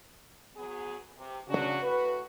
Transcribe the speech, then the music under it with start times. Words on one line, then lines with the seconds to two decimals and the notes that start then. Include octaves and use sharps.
Sometimes several towns united to hold one in common.
0.56 F#3 B3 G#4
1.17 C3
1.48 C#3 F#3 C#4 D4 F#4
1.82 A2 F#4 B4